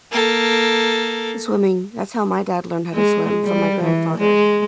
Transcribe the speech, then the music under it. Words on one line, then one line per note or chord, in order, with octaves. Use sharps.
the swimming, that's how my dad learned how to swim from my grandfather,
A#3 A4
G#3
G3
E3
G#3